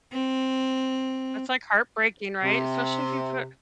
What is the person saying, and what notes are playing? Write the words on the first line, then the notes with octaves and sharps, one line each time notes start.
It's like heartbreaking, right? Especially if you put
C4
C3